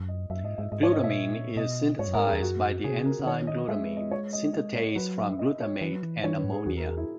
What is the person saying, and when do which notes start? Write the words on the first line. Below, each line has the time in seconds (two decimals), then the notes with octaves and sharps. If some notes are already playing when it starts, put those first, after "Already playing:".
Glutamine is synthesized by the enzyme glutamine synthetase from glutamate and ammonia.
Already playing: F#2
0.08 D#5
0.30 F#2 E5
0.44 G#2 D#5
0.58 G#2 E5
0.72 G#2 D#5
0.83 C#5
0.93 D#5
1.04 B2 E5
1.15 A#2
1.56 B2 D#5
1.99 G#2 C#5
2.08 F#2
2.14 G#2 A#4
2.27 G#4
2.32 E2
2.42 F#2 F#4
2.84 C#3 G#4
2.91 B2
2.99 C#3
3.05 A#4
3.20 C#3
3.26 D#3 C#5
3.47 D#5
3.68 G#3 E5
3.84 B4
3.97 D#5
4.11 C#5
4.33 D#5
4.53 D#5
4.76 C#5
4.96 F#3 B4
5.18 E5
5.39 D#5
5.60 C#5
5.81 E3 B4
5.92 F#3
6.03 E3
6.24 E3 C#5
6.34 D#3 B4
6.44 G#2
6.52 G#4
6.66 E2 F#4
6.77 A#4
6.87 G#4
6.97 E4